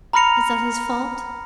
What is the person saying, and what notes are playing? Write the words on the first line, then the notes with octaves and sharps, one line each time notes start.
Is that his fault?
A#5 B5 F6 A#6 C#7 F7